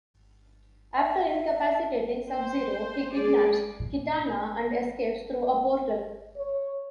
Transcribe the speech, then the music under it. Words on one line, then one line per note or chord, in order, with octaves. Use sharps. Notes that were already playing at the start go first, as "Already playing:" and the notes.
After incapacitating Sub-Zero, he kidnaps Kitana and escapes through a portal.
E5
C5
G#3 G#4 D5
A#2
C#5